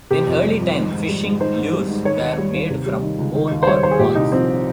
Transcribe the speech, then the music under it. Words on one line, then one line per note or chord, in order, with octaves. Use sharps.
In early time, fishing lures were made from bone or bronze.
C3 G4
F2
G3
F2
D#3
G#2
G3
G#2
D#3 C5
G#2
G3
G#2
D#3 C#5
D#2
G3
D#2
C3
G3
D#3
C#2
D#3
D#2
C5
G3 C#5
D#2 C5
G#4
A#2 G4
C2 D#4
F3 C4